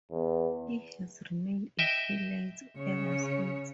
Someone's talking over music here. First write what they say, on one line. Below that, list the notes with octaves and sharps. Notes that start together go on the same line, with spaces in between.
He has remained a freelance ever since.
E2
D#5 E5 G5
C#3 C#5